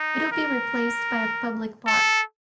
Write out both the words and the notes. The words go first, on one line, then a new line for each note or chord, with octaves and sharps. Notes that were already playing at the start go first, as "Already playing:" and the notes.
It will be replaced by a public park.
Already playing: D#4
A#4
A4